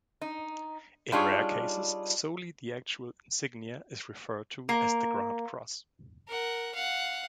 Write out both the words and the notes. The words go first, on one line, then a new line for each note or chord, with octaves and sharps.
In rare cases, solely the actual insignia is referred to as the "grand cross".
D#4
G3 D4 D#4 F4 G#4 C#5
A#3
A#4 F#5
F5 F#5